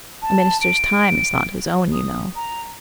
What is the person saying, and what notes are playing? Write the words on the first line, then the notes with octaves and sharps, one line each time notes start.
"A minister's time is not his own, you know."
A5
D7
D#6
A#5